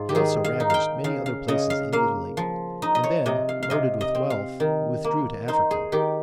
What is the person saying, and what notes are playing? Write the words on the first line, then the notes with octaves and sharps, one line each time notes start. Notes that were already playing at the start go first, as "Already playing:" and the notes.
He also ravaged many other places in Italy, and then, loaded with wealth, withdrew to Africa.
Already playing: G#2 F4
G4
D#3 G#4
F5
D#4
F5 G5
C#3 F5
F5
C#3 D#5
F5
A#3 F5
F3
D#4 D#5
D#5
C#5
C3 D#5
F5
F5
C3 D#5
D#5
C4
F5
D#3
A#3
D#4 C5
G#4
D#3 G4